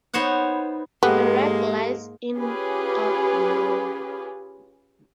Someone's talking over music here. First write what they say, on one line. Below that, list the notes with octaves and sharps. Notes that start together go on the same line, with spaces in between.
Her wreck lies in of water.
B3 D#4 C5 C#5 F#5
G#2 G#3 A#3 B3 G4 A4
C#4 F4 G4 G#4 B4